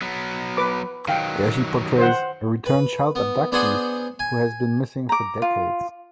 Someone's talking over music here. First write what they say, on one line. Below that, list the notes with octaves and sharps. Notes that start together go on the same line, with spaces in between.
There she portrays a returned 'child abductee' who has been missing for decades.
F#3 B3
B4 D6
D#3 F#3 F5 G5
C5 F#5
B4
B3
B3 D4 G#4 C5 F#5 G#5
G#5
A#5 D6
F4